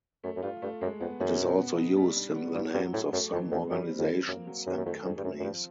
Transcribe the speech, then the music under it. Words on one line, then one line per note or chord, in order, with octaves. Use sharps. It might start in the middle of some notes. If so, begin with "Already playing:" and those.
It is also used in the names of some organisations and companies.
F#2 A3
F#2
G2 F4
G2 A3
F#2 G#3
F2 B3
F#2 G#4
B2
B3
D#4
G3
D4
B3
G2 F#3
G2 F#3
A2 G#4
F#2 A3
F2 E3
F2 E3
F#2 G3
C4
F2
C4
F#2 A#3
F#3
F#2 D#3
F#2
F2 A3
F2 G#4
G2
F#2 C4
F#2
G2 F3